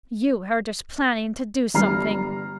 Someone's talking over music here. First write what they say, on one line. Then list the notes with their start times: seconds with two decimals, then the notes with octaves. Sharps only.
"You heard us planning to do something."
1.74 G1 G3 A#5 F6 C7